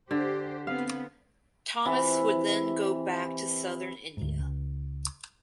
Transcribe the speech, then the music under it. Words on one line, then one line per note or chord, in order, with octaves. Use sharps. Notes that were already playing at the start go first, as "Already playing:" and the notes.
Thomas would then go back to southern India.
D3 G4 C5
B3 C4 F5
C3 E3 E4
D2 G#2
C#2